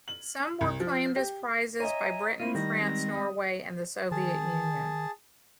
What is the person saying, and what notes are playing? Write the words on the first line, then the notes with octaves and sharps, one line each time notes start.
Some were claimed as prizes by Britain, France, Norway and the Soviet Union.
F#7
C2
F3
G4
C#5 D#5 E5 G#5 A#5 D#7
A3 C4 E4 F4 D#7
D#3 G3 A#6
G#3 C4
D#6
D#3 G#4 A5